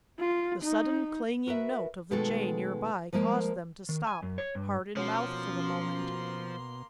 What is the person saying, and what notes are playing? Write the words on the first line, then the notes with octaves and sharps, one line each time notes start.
The sudden clanging note of the jay near by caused them to stop, heart in mouth for the moment.
F4
D#4
F#4 A#4 B4 E5
B2 D#3 G#3 A3 F#4 A4
F3 G#3 A#3 A#4
D#3
G#5
F#2
C#5
G2
B2 F3 A#3 C#4 F#4 C6